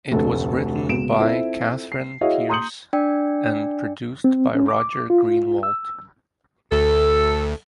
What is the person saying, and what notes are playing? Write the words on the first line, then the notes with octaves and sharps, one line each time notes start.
It was written by Catherine Pierce and produced by Roger Greenawalt.
F1 D2 A4
C#2 B2 D7 E7
C4 E4 F4 A4
C7
E4 F#4 G#4 C#5 D#5 F5
A#5 C6 D#6 G6 C#7 F#7
D4 D5 G5
C4
C#4
D6
F4
E6
D2 A4